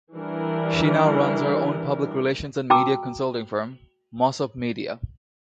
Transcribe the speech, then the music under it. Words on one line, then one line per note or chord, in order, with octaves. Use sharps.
She now runs her own public relations and media consulting firm, Mossop Media.
E3 G3 D4 A#4
F#4 G5 A5 A#5 D6 E6